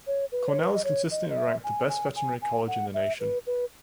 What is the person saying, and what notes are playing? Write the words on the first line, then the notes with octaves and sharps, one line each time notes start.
Cornell is consistently ranked the best veterinary college in the nation.
C#5
B4
C#5
B4
D#5
C#5
D#5
D#5
E5
G#5
G#5
G#5
G#5
F#5
E5
B4
B4